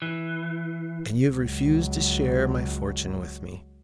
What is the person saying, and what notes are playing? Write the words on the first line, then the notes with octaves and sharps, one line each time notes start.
"And you have refused to share my fortune with me."
E3
C#2 F#3